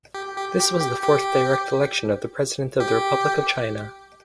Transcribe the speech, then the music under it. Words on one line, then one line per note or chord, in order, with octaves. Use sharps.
This was the fourth direct election for the President of the Republic of China.
G4
G4
G4
G4
G4
G4